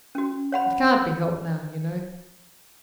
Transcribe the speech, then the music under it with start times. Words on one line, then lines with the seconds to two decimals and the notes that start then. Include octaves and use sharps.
It can't be helped now, you know.
0.15 C#4 F#4
0.52 C#5 F#5 B5